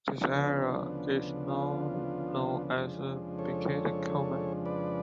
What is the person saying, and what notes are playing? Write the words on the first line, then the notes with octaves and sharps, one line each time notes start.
This area is now known as Bukit Koman.
D2 C#3 F3 B3 D4
F4
F2 C#3 F3 G#3 D4
A4 C#5
B4 D5